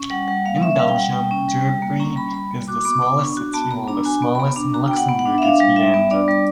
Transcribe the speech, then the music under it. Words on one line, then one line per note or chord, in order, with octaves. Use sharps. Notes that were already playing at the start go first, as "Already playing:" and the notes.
In Belgium, Durbuy is the smallest city, whilst the smallest in Luxembourg is Vianden.
Already playing: C#4
G3 F#5
G3 F#5
A#3 F5
C#4 E5
G3 F5
G5
G3 F#5
A#3 G5
C#4
G3
G3
A#3
C#4 A#5
G3 B5
G3 B5
A#3
F#4 D6
B3 D6
B3 D6
D4 C#6
F#4
B3 A5
B3 A#5
D4 A#5
F#4 G#5
B3
B5
B3 A#5
D4
F#4 A#5
B3 G5
F#5
B3
F#5
D4
E5
D4 F5
G3
G3 E5
B3
D4 D5
G3